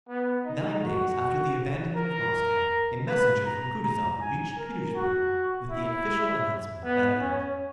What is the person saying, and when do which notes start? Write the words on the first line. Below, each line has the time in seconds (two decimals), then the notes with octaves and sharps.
Nine days after the abandonment of Moscow, a messenger from Kutuzov reached Petersburg with the official announcement of that event.
0.08 B3
0.45 D#4
0.83 F#4
1.96 A#4
3.08 B4
3.45 A#5
3.83 A#5
4.20 G#5
4.57 A#4
4.96 F#4
5.70 E4
6.83 B3
7.20 C#4